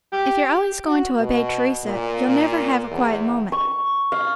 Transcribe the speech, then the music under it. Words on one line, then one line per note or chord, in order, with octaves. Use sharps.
"If you're always going to obey Teresa, you'll never have a quiet moment."
G4
F#4
B2
A#2
A#2
E2
C#6
F5